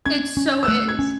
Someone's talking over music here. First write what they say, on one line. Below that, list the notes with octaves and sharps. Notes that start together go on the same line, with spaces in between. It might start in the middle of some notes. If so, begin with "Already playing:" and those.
It so is.
C#4 G#6
C#4
E6
A3 F#6
G#6
C#4